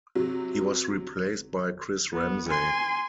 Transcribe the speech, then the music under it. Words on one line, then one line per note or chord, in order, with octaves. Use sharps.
He was replaced by Chris Ramsey.
C3 F#3
B3
G#5 C6